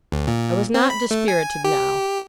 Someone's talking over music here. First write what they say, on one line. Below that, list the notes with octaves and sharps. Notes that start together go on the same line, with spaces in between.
I was not dispirited now.
D2
A#2
C4
B5
A3
G#5
G4